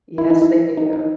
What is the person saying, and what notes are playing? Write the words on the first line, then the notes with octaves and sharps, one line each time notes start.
Yes, they do.
E4
D#4
E4
D#4
D#4